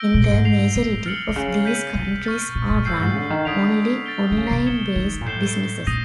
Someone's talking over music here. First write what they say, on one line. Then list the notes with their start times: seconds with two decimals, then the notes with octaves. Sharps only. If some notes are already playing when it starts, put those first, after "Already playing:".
In the majority of these countries are run only online-based businesses.
Already playing: E6 G6 A#6 D7 G7
0.14 A#2
0.30 G#2
0.45 G6 C7 F7
0.76 A2
1.06 F6 A6 C#7 F#7
1.28 C3
1.36 C#3
1.65 G6 B6 D#7 F#7
1.95 C3
2.25 C#6 F6 A6
2.55 A#2
2.70 A#2
2.86 A2 E6 G6 C7
3.01 G#2
3.16 D3
3.30 D#3
3.45 D3 D#6 G#6 B6 D7 F7
4.06 A6 D7 G7
4.31 D3
4.37 C#3
4.51 C3
4.66 G#6 C#7 E7 G7
4.96 D#3
5.21 A#2
5.26 A2 G6 C7 E7 G7
5.87 A#2 D#6 G6 A#6 D#7